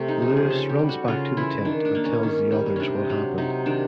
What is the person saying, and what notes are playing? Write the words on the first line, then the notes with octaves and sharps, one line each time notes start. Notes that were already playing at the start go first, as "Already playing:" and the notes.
Lewis runs back to the tent and tells the others what happened.
Already playing: C3 A3
D#4
F3
G#4
C#3 A4
G4
G3
F#4
C#3 F4
E3 E4
D#3 D4
D4
A#3
C#4
D#3
G3 C#4
C3 C#4 D4
F#3
C3 D#4
D#3 D4